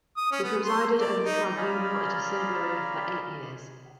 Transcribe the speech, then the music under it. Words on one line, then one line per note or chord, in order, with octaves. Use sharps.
He presided over the tribunal at Assiniboia for eight years.
D#6
C#4
B3
C6
D5
D#4
C#4 F4 G#4 D5 A#5 B5